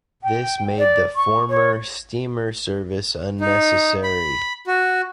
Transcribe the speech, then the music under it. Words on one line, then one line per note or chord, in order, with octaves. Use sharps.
This made the former steamer service unnecessary.
G5
D5
C#6
C#5
D#4
B5
F#4